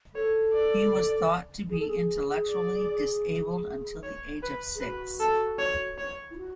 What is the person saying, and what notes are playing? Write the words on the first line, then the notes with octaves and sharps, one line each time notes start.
He was thought to be intellectually disabled until the age of six.
A4 C#5
D5
G#4
A4
G#4
D5
C#5
B4
G#4
F#4 B4
A4
C#5
C#5
E4
F#4